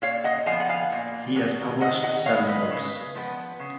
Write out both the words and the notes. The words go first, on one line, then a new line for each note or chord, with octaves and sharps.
He has published seven books.
A#2 C#5 F5
D#5 F#5
F3 B3 F5 G#5
F#5
F5 G#5
A#2
F#3 B3
D#3 D#5 F#5
D#5 F#5
G#3 B3 C#5 F5
B4 D#5
C#3
F3 B3
C#3